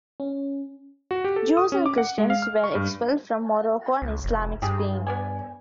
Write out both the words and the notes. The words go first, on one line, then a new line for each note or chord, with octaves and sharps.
Jews and Christians were expelled from Morocco and Islamic Spain.
C#4
F#4
G4
A4
D#6
C#4
D6
F#5
G#3
F5
F6
C#6
G2
C#2
F1
G2 G4 G#4
B3 D5 G#5